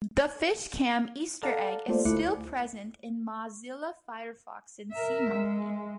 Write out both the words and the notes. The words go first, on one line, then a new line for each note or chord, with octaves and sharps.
The Fishcam easter egg is still present in Mozilla Firefox and SeaMonkey.
A4 D5 F5 F#5 A5 A#5
A3 A#3 F4 A4 C5 D5
D2 A3 E4 D6 F#6 C#7
A#4 E5
G#3